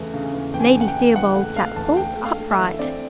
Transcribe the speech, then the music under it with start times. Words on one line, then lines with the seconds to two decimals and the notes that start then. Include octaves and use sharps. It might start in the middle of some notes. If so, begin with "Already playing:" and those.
Lady Theobald sat bolt upright.
Already playing: E2 C#3 E3 A3
0.14 C#3
0.33 E2
0.54 E2 G5
0.60 G#5
0.75 E2
0.81 F#5
0.88 G5
0.95 C#3
1.15 E2 F#5
1.35 A3 F#5
1.56 A3 F5
1.76 E2 A5
1.97 A3 G5
2.17 A3
2.25 F5
2.38 A3
2.51 E5
2.58 E3
2.79 C4 D5